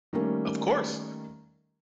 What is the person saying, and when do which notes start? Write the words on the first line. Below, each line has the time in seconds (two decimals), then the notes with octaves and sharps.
Of course,
0.13 D#3 G3 A3 A#3 C#4